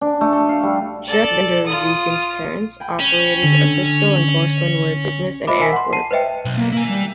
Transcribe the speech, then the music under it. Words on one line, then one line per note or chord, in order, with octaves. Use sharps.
Jef Van der Veken's parents operated a crystal and porcelain ware business in Antwerp.
D4
A3
A4
F5
G3
A4 D5
F4 D#6
G5 G#5 B5
C#4
D3 C#5
F4 C5 D#5 E5 B5 D6
A#4 G#5 B6
F#5 C6
A5 C7 D#7
B4 C5 D#5 E5 G5
B1
A#3
A#3 E4 G#5
G3